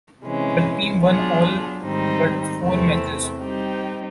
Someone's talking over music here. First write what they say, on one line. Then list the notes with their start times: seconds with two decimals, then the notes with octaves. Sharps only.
The team won all but four matches.
0.23 C3 E3 G#3 C#4
1.03 F#3 B3 D4 F4 G#4
1.82 G#2 D#3 G3 C4 D#4
2.61 E2 C3 E3 A3 C4
3.41 G3 C4 D#4 G4